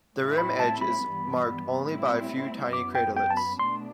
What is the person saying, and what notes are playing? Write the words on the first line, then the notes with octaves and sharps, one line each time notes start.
The rim edge is marked only by a few tiny craterlets.
A2 G3 C4 E4
B5
A5
B5
G2 E3 G3 B3
A2 G3 C4 E4
F#2 F#3 B3 D6
G5
G5
A5
B5
B2 A3 D4 C6